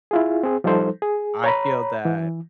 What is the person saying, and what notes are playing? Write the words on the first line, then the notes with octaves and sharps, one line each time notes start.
I feel that
E4 F4 G#4
C4 G#4
F3 G3 D#4 A4 C5
G#4
C#5 A#5 B5
E3